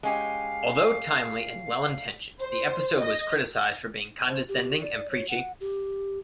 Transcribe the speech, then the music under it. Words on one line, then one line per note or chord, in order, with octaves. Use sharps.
Although timely and well-intentioned, the episode was criticized for being condescending and preachy.
G#3 C#4 G4 F5
C5
D#5
C5
G4
D5
C#5
F#5
G4